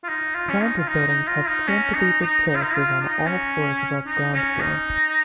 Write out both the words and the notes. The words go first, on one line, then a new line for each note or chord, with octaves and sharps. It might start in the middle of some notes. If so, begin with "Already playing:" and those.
Rounded buildings have Cantilevered terraces on all floors above ground floor.
F4
D#4
F4
C#4
D#4
F4
D#4
D#4
F4
D#4
C#4
D#4
D#4
D#4
F4
D#4
F4
D#4
C#4
D#4
C#4
D#4